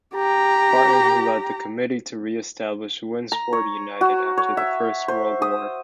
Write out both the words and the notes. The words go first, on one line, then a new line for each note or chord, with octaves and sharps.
Barton, who led the committee to re-establish Winsford United after the First World War.
G4 A#5
A#5
C#5
F#4
C#5
E5
C5
D#6